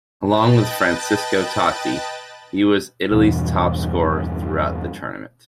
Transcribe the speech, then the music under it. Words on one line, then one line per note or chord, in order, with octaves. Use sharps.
Along with Francesco Totti, he was Italy's top-scorer throughout the tournament.
B4 D#5 G5 A5 F#6 A6
E2 G2 B2